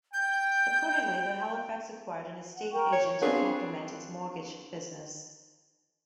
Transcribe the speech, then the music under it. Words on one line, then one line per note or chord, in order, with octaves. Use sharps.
Accordingly, the Halifax acquired an estate agent to complement its mortgage business.
G5 G6
F#5
A#4 G5 C#6
C#5
C4 D4 F4 G#4 B4 C#5